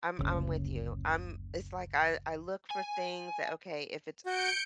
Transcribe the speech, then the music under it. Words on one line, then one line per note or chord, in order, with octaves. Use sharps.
I'm I'm with you, I'm it's like, I I look for things that Okay, if it's
F#1 D2 C#3
G#5
F#4 G6 C#7 D7